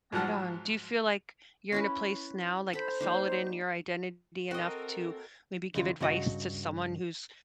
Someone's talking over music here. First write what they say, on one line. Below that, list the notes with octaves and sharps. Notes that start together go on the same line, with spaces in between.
Right on. Do you feel like you're in a place now, like, solid in your identity enough to maybe give advice to someone who's
G#2 F3 F#3 F#5 A5 F6
C#4 E4 B4
A4 C5 B5
G3 A#3 D#4
C4 F#4 A4 A#4 D#5
D#2 C#3 F4
G2 C#3 F#4 D#5 F#5